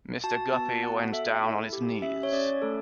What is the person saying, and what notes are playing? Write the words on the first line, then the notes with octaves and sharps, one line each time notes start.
Mr. Guppy went down on his knees.
F#4 A5
B3 A5
F#4 F#5
A4 E5
E4
G4
C#4 E5
C#5
C#4 D5
A3 A4